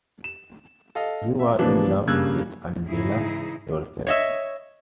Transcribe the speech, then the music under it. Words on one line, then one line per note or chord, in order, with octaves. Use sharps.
You're in love with Angela yourself.
E7
A4 D#5 F5
E5
C3 E3 F3 A#3 B3 D4
G2 C#3 A#3 E6 F#6 G#6
G#2 C#3 E3 D#4 E4 G#4
C#5 D#5 E5